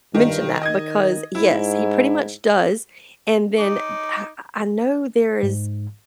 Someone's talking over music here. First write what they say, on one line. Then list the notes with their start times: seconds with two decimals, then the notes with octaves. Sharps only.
mention that, because yes, he pretty much does. And then h I I know there is
0.14 G2 D#3
0.63 D#3 D#5 G#6
1.35 G#2 E4
3.59 D#4 D6
5.43 G#2